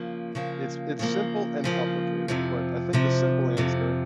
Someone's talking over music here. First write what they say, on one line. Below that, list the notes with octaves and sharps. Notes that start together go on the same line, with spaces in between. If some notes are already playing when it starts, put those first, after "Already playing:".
it's it's simple and complicated, but I think the simple answer
Already playing: C#3 F3 A#3
C#3 F3 A#3
C#3 F3 A#3
C#3 F3 A#3
F2 C3 F3
F2 C3 F3
F2 C3 F3